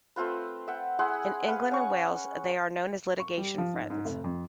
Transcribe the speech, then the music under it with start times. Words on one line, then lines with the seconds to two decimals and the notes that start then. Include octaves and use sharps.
In England and Wales they are known as litigation friends.
0.16 A3 C4 F4 B4
0.68 E5 F#5 G5
0.99 E4 G#4 F#5 C6
1.48 B4 F5 F#5
1.71 C#4 C#6
3.20 C#6
3.38 G3
3.58 F3
3.74 G#2
3.90 G#2
4.05 F1
4.24 F2